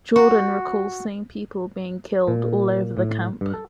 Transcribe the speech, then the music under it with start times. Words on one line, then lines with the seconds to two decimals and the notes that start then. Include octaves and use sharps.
Jordan recalls seeing people being killed all over the camp.
0.16 F#4
2.28 A#2
2.97 A2
3.41 G2
3.54 A4